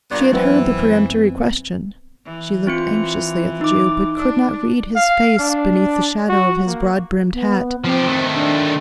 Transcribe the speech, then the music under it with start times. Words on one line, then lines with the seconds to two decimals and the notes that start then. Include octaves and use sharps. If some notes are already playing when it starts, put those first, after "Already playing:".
She had heard the peremptory question; she looked anxiously at the Jew, but could not read his face beneath the shadow of his broad-brimmed hat.
0.11 G2 A#2 B3 D5 A#5
0.32 F#2 E3 B3 C4
2.25 E3
2.67 C4 F4 C#7
3.61 D#4 D6
4.18 D4
4.96 F5
5.39 D4
6.29 F#4
6.66 A#3
7.34 B3
7.84 F3 C4 G4
8.07 D#3 A3
8.35 D4